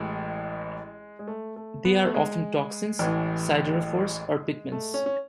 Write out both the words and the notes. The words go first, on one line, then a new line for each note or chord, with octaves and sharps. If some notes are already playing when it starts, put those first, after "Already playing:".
They are often toxins, siderophores, or pigments.
Already playing: A1 A2 E3 G#3
G#3
A3
A3
B3
A3
G#3
A1 A2 E3
A3
C#4
C#4